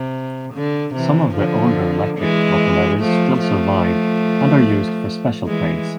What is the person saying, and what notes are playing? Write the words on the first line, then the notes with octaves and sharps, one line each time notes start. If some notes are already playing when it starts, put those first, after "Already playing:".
Some of the older electric locomotives still survive and are used for special trains.
Already playing: C3
D3
C3 E3
D3 F3
E3 G#3
F3 A3
F3 A3
E3 G#3